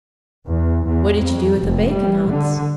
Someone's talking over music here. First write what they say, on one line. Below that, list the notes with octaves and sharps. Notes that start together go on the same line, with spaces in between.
'What did you do with the bacon, Hans?'
E2
E2
F2
F1
G3
D3